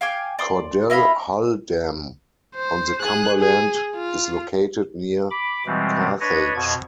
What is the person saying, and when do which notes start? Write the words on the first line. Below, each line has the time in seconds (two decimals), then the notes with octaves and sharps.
Cordell Hull Dam on the Cumberland is located near Carthage.
0.01 F5 G5 G#5 D6
0.39 D5 C6
0.90 E4 D#5 F5 B5
2.55 C5
3.01 G#4 F#6
3.40 G#4
3.96 F4
5.30 B5 D6
5.66 B2 E3 G3 G#3 C4
6.20 D4 B4 C#5 D#5
6.55 F2 B2 G#6